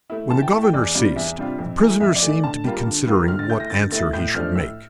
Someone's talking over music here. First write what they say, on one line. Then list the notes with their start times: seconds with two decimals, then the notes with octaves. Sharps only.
When the governor ceased, the prisoner seemed to be considering what answer he should make.
0.10 A3 E4
0.30 E3 A5
0.42 G5
0.52 A3 E4 A5
0.63 G5
0.73 E2 D5
0.95 C3 G3 D4 F4 D5
1.16 E2 E5
1.37 C3 G3 D4 F4
1.59 F2
1.79 E3 A3
2.00 F2 E5
2.15 D5
2.23 E3 A3
2.29 D5
2.44 D3 A5
2.64 G3 A#3 F4
2.86 D3
3.07 G3 A#3 F4
3.28 D3 F6
3.39 A6
3.50 A3 E4 G6
3.60 A#6
3.70 D3 A6
3.92 A3 E4 A6
4.13 A2 G6
4.34 F3 A3 D4 F6
4.55 A2 E6